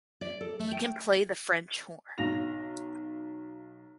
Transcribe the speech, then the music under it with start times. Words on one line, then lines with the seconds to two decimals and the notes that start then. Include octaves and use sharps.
She can play the French horn.
0.21 D5
0.41 A4
0.59 A3
0.72 G5
2.18 B1 F#3 F5 A#6 F7